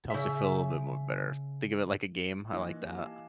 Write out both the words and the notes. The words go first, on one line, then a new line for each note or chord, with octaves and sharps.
helps me feel a little bit more better. Think of it like a game. I like that.
C#3 E5
E3 A#3 D#5 F#6
G4 G#5
F5 A5